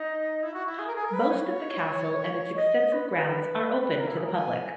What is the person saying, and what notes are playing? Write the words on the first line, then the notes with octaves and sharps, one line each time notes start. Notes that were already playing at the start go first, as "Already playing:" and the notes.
Most of the castle and its extensive grounds are open to the public.
Already playing: D#4
E4
F#4
E4
G#4
A#4
G#4
A#4
B4
C#5
C#5
D#5
B4
B4
A#4
E4
G#4
A#4
G#5